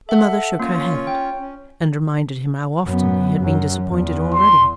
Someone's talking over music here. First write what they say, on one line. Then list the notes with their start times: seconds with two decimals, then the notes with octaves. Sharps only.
The mother shook her head, and reminded him how often he had been disappointed already.
0.09 A4 E5 F#5
0.60 A#3 C#4 F4 C#5
1.07 G5
1.40 C#4
2.85 F#2 B3
3.39 F#2 F#3
3.89 E2
4.33 C6